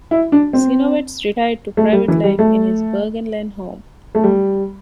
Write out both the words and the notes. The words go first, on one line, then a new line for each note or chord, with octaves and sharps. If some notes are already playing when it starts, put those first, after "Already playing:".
Sinowatz retired to private life in his Burgenland home.
E4
D4
C4
A3
G3
E3
G3
A3
A3
G3